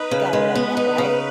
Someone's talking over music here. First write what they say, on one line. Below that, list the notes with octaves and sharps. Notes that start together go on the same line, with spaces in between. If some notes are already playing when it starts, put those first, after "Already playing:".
Gotta love that, right?
Already playing: D#4 B4
C#3
G#3
B3
D#4
C#3